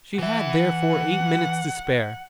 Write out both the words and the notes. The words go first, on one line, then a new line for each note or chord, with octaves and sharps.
She had, therefore, eight minutes to spare.
E3 E5 F#5